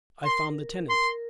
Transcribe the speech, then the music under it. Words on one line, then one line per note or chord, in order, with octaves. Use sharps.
I found the tenant.
A#4 C6
A#4 C6
A#4